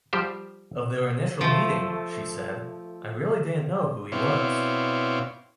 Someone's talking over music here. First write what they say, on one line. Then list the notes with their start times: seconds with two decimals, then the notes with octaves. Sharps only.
Of their initial meeting, she said, I didn't really know who he was.
0.13 F3 G3 G4 C5
1.41 F3 A3
4.12 B2 C4 E4 C#5 D5 F5